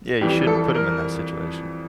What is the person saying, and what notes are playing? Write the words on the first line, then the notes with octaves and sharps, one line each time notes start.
Yeah. You shouldn't put 'em in that situation.
F2 E3 G3 G4
A4
A#4